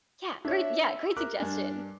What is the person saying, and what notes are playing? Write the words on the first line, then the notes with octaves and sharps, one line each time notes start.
Yeah, great yeah, great suggestion.
D4 C#5 E5
A#4 D6 F#6
G2 D4 A#4 G#5